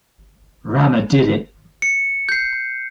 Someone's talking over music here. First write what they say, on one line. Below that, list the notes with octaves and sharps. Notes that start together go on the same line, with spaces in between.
Rama did it.
C#7
G6 C7